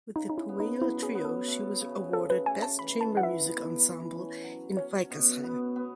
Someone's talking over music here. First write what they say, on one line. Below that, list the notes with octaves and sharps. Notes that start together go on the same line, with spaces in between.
With the "Puella Trio" she was awarded best chamber music ensemble in Weikersheim.
C#3 D#4
D#4
E4
B3
D#4
F#3 E4
G#4
B3
A4
A3
C#3
C#3 A4
B4
A3 G#5
A5
E3 B5
A5
E3 F#5
E5
B3
E3
C#4
F#3
C#4 C#5
B2
B3
B3